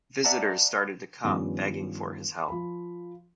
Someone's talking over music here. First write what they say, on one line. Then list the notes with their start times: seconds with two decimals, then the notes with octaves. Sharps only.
Visitors started to come, begging for his help.
0.24 D5 E5 F#5 A5 A#5
1.24 G2 D#3 F3 G3 B3 C#4
2.48 F3 B5